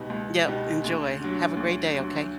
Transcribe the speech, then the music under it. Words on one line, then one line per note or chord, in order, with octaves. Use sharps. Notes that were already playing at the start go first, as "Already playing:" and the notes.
Yep, enjoy. Have a great day, okay?
Already playing: C#2 B2 G3 B3 D#4
C#2
B2 G3 B3 D#4
D2
D3 F#3
D2
D3 F#3